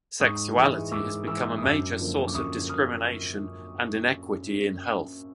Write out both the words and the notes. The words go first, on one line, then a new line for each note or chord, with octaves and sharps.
Sexuality has become a major source of discrimination and inequity in health.
G#2 C#6 D#6
E3 G#3
G#2 D6 E6
E3 G#3 D6 E6
D#6
F#2 D6 E6
D3 F3 A#3
D6
F#2 C#6 D#6
D#6 F6